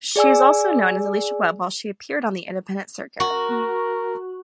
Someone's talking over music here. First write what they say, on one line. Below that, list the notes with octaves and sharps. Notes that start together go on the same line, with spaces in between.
She is also known as Alicia Webb while she appeared on the Independent circuit.
G#4 D5 G#5 E6
F#4 A#4